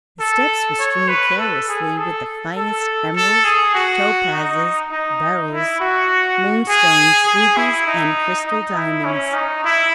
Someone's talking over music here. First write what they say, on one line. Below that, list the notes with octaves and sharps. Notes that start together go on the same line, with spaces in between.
The steps were strewn carelessly with the finest emeralds, topazes, beryls, moonstones, rubies, and crystal diamonds.
A4
C#5
B4
A4
G#4
A4
A4
A4
G#4
F#4
D#4
D#4
E4
F#4
G#4
G#4
E4
D#4
D#4
E4
C#4
D#4
E4